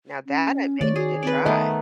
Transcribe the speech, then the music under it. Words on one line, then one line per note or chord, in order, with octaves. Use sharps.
Now that I may need to try.
C#4
D#3 A3 C#5 D5
F#4 G#4
C4 B4 D5
D#3 A3 B3 D#5 A#5